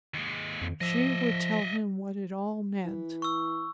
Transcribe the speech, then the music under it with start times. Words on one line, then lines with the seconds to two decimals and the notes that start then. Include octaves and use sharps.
She would tell him what it all meant.
0.14 D#2 G#3
0.61 F2
0.81 F3 D#5 E5
2.85 E3
3.22 C#6 E6